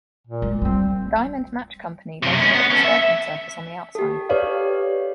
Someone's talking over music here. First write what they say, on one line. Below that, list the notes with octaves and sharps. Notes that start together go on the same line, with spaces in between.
The diamond match company later put the striking surface on the outside.
A#2
G#3
G3 G#3 C4
F#2 C3
G#3 C#4
B3
C#4 A4
E5
G4 A4
G4 A4 B4 C#5 D5 F5